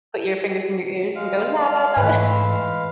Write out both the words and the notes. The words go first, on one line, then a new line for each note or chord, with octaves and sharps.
put your fingers in your ears, and go, la, la, la, la
G#3 F5
G#2 E3 A3 B4